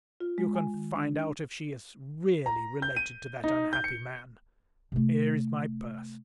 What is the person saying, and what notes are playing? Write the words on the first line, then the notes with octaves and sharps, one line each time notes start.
You can find out if she is really related to that unhappy man. Here is my purse.
F4
G#3
G#5
D#3
D4
A#5
G6
D#7
D#4
G6
C#7
C3 A3